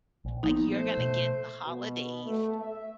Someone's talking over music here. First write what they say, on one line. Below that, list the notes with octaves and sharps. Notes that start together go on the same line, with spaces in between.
Like, you're going to get the holidays
A#1
F3 A#3 B3 D#4
A3 C5
B2
B2
A3
E5